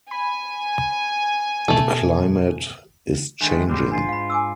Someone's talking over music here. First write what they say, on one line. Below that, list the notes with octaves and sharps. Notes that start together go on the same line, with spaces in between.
The climate is changing.
G#5 B5
B2 A3 A4
D#3 G#3 A3 D4
G#2 G3 C4
G#2 D4 F4
F5 B5
G#5 D6 E6